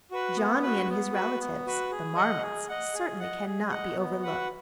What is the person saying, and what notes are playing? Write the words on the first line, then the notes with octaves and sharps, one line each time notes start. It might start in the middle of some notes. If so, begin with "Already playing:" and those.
Johnny and his relatives, the Marmots, certainly cannot be overlooked.
F#4 B4
B3
F#4 B4
B3
F#4 B4
B3
F#4 B4
G#4
D#5 F#5
G#4
D#5 F#5
G#4
D#5 F#5
G#4
D#5 F#5
B3
F#4 B4 F#5